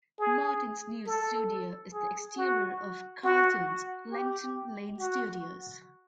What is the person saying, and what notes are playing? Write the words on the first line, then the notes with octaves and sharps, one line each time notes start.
Martin's news studio is the exterior of Carlton's Lenton Lane studios.
G#4
A4
G#4
F#4
F#4
G4
F#4